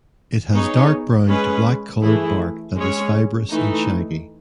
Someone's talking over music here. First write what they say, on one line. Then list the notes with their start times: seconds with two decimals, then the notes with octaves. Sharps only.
It has dark brown to black coloured bark that is fibrous and shaggy.
0.52 B3 D#4 G#4 C#5
1.28 G#3 C#4 G#4 B4
2.02 E3 A3 E4 G#4
2.77 G#3 C#4 G#4 C#5
3.51 E3 A3 D#4